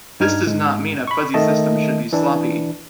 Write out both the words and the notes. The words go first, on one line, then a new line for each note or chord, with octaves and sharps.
This does not mean a fuzzy system should be sloppy.
G2 D#4 F6 G#6
G#2 G#3
B5 C#6
D#3 A3 D#5 A5
E3 D4